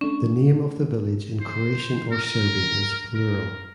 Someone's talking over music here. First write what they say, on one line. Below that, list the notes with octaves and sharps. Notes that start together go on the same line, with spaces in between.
The name of the village in Croatian or Serbian is plural.
A3 C#4 D4
C5
A#4
A#4